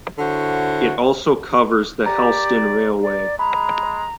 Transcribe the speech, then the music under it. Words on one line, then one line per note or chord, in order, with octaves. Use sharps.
It also covers the Helston Railway.
D3 E4 F#4 C5 C#5
G4 D5 A#5
D5
G#3 A#5 B5